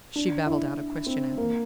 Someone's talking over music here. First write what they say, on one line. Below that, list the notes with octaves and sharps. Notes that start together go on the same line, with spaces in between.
She babbled out a question at him.
D4
E4
C4
A#3